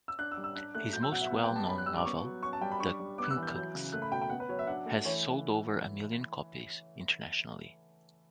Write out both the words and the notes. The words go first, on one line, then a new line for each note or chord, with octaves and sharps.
His most well-known novel, "The Quincunx", has sold over a million copies internationally.
E6
D4 F#6
E6
G3
E6
D4 F#6
A3 F#6
F#3 G6
E6
B2 F#5
E5
B3 F#5
G5
G3
A5
C#4 B5
F#6
G3 E6
D6
B3 C#6
F#3
C#4 C#6
A5
G3 G5
B5
D4 C#6
G3
B3 D6
F#6
E6
E3
G6
F#3 G6
C#3
A3 F#6
B5
B2 G5
G5
B3 F#5
B4
F#3 C#5
E5
D4 F#5
A3
E3 C#5